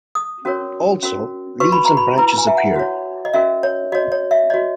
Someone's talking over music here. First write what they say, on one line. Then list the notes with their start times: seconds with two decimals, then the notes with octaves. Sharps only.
Also, leaves and branches appear.
0.15 D#6
0.45 C#4 F#4 A#4 C#5
1.02 C#4 F#4 A#4
1.60 F#4 B4 C#6
1.72 B5
1.85 A#5
1.97 B5
2.18 E4 B4 A#5
2.38 G#5
2.47 E5
2.57 F#5
2.76 F#4 C#5
3.25 D#5
3.33 C#4 F#4 A#4 E5
3.63 C#5
3.92 F#4 C#5 D#5
4.12 C#5
4.31 E5
4.50 F#4 C#5 D#5